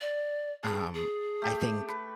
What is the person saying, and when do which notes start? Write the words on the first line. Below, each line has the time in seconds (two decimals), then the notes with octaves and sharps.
um, I think
0.01 D5
0.63 G#4 A5
0.94 G#4
1.42 A3 G4
1.88 B4